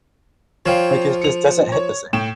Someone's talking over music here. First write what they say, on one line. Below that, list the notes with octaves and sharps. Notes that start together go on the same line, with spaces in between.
Like, it just doesn't hit the same.
F3 C#5 F5 G5
C#7 F7
C#5
A2 G5 E7